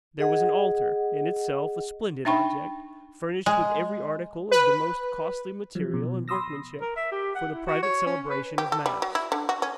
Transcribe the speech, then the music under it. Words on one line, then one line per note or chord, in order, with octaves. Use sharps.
There was an altar, in itself a splendid object, furnished with every article of the most costly material and workmanship, for the private celebration of mass.
G#4 D#5 F#5
D4 D#4 E5 G5 B5 C#6
G#3
B4
F3 F#3
B2 F3
B5 C6 D#6 E6 A#6
A#4
E5
G4
F#5
E4
F#4
C#5
C#4
B4
G4
A4
G3
F#3
E4
D3
F#4
C#4